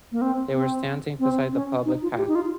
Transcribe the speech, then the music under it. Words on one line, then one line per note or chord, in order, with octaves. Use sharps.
They were standing beside the public path.
A#3
C4
C4
C4
C#4
D#4
F4
G4
D#4
F4